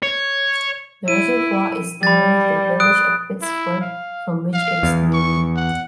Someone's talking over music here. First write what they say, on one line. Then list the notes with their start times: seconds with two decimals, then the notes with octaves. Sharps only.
The reservoir is near the village of Pitsford, from which it is named.
0.02 C#5
1.08 E4 D#7
2.03 G3 B5 A6
2.80 D#6 F#6 D7
3.42 E4
3.81 F5
4.54 F5
4.83 E2
5.13 C#6
5.56 F#5